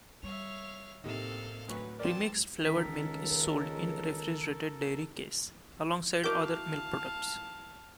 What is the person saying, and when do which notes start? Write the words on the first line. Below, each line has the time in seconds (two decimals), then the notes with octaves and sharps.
Pre-mixed flavored milk is sold in the refrigerated dairy case alongside other milk products.
0.23 G3 C#5 E5 F5 F7
1.04 A2 C3 A#3 C4 D#4 A4 F5
1.68 D2 F#3 B4 C#6
1.99 B3 C4 G4 A#4 D5 A5
2.65 C#2 D#3 A4 A#4 B6
6.24 E4 F#4 A#4 F5 A5 D6 G6